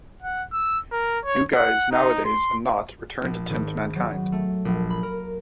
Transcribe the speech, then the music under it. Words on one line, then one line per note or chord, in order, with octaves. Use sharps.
New Guise, Nowadays and Nought return to tempt Mankind.
F#5
E6
A#4
C#5
F#5
D#4
C6
A#1
G#1
F#3
A3
A#1
B5
A#4